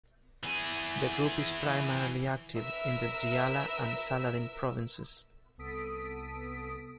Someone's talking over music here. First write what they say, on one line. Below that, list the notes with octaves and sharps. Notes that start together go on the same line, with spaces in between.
The group is primarily active in the Diyala and Saladin Provinces.
E3 G#4
A#4 B4 E5 E6
C2 B3 A4 D#6 B6 D7